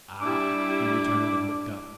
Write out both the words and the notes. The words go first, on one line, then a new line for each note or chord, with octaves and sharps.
"Ah!" he returned, and looked up.
G3 D4 E4 D6